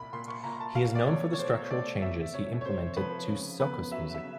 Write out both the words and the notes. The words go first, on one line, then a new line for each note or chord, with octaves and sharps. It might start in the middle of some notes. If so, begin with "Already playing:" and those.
He is known for the structural changes he implemented to soukous music.
Already playing: C2 A#2 B5
A#2 C6
C#6
A#2 A#5
A5
B2 F5
D5
A3 C#5
C#5
B2 C5
A3 D5
C3 E5
C3 C#5
C#5
C3 C5
F3 B4
C#3
B3 B4
F#3 E5
E5
C#3